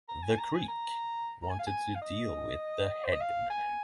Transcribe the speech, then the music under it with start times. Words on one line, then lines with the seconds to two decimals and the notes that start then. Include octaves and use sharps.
The Creek wanted to deal with the 'head man'.
0.09 A#5
0.23 G#5
0.38 A#5
0.54 G#5
0.68 A#5
1.43 A#5
1.50 G#5
1.59 F5
1.67 G#5
1.95 F5
2.02 D#5
3.04 C5
3.13 D#5
3.20 F5
3.50 G#5